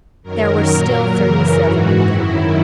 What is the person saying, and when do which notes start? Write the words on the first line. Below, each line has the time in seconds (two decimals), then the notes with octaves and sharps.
There were still thirty-seven of them.
0.23 F#2 D#3 F#3 A#4
0.67 A#2 F#3
1.13 F#2 C#3 E3 A#4
1.58 G#2 E3 F#4
2.03 F#2 D#3 F#3 E4